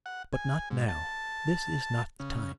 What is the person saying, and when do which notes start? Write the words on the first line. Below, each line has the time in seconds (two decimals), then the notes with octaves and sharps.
But not now, this is not the time.'
0.06 F#5
0.33 G#5
0.71 G#2
0.88 A5
2.20 C#3